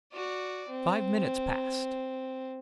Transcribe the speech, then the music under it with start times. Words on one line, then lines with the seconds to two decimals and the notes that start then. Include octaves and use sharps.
Five minutes passed.
0.13 F#4 D5
0.69 C4